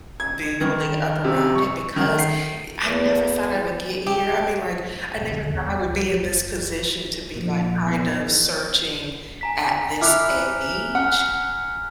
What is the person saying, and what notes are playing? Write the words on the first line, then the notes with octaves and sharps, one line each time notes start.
building up around it because e I never thought I would get here, I mean, like, I never thought I would be in this position to be, like, kind of searching at this age,
G#6
D#3
C3
C#6
D#3
C7
E2
G4
G#2 B2
D2 D3
E2
C#2 B2
F3
F#1
A#2 F3
E2
G#5 A#5 B6
E4 D6 F6 F#6 F7
F#5 F6